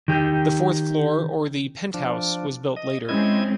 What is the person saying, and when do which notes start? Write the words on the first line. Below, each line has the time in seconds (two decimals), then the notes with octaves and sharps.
The fourth floor or the penthouse was built later.
0.08 D#3 G4
1.94 F3 D4
2.76 D#5
3.09 G#3 C4 C#4 E4 D#5 G#6